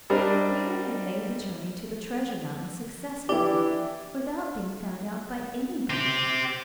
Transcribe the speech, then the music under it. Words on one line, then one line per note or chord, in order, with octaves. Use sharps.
Peter had made the journey to the treasure mountain successfully, without being found out by anybody.
G3 D4 A#4 C5 D#5 E5
E3 D4 E4 G4
C4 G4